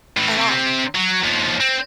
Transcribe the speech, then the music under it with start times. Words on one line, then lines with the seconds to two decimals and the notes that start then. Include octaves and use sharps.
at all,
0.17 A2 E3
0.38 C3 C4
0.95 F#3
1.24 D#2 F3
1.60 C4